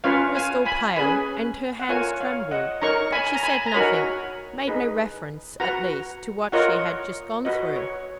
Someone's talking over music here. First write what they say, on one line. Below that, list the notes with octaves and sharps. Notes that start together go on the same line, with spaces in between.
She was still pale, and her hands trembled, but she said nothing, made no reference, at least, to what she had just gone through.
C#4 F4 B4 C#5 F5
F5 G#5
G#5 B5
C#4 G#4 B4 G#5 B5
F#5
F4 A#4 C#5 F5 G#5
C#5 F5
D#5 F#5
D#4 A#4 C#5 A#5 C#6
G#5 B5
G#5
A#5
G#5 B5
A#5
D#4 F#4 A#4 C#5 G#5 B5
D#4 G#4 B4
F#4 B4 F#5 A#5
F4 A#4 C#5 D#5 F#5
F#4 B4 D#5
C#5